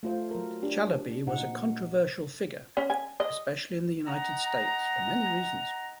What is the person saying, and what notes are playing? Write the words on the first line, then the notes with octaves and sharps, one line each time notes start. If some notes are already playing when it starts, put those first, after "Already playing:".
Chalabi was a controversial figure, especially in the United States, for many reasons.
A3 F4 C5
F#3 A#4
D4 G4
A#2 C4 D#4 F#5
C#4
G#5
D#5
D#4 F#5 A#5